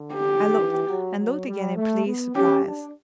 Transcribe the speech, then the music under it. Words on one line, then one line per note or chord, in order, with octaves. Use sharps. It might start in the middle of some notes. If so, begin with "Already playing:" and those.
I looked, and looked again in pleased surprise.
Already playing: D3
G4
E3
F#3
F#3
G3
A3
B3
C#4 G4
D4